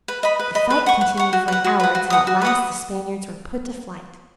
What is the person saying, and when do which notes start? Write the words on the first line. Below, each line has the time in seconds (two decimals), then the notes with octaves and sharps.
The fight continued for an hour, till at last the Spaniards were put to flight.
0.08 B4
0.23 D#5 B5
0.39 B4
0.55 D#5 B5
0.70 B4
0.86 F#5 C#6
1.01 B4
1.17 F#5 C#6
1.33 F#4
1.48 B4 F#5
1.64 F#4
1.80 B4 F#5
1.95 F#4
2.10 B4 F#5 D#6
2.27 F#4
2.42 B4 F#5 D#6